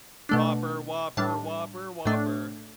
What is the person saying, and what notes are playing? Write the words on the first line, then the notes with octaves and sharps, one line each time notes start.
Whopper, Whopper, Whopper, Whopper.
B2 A3 D4
A2 G3 D4 A5
A2 A3 D4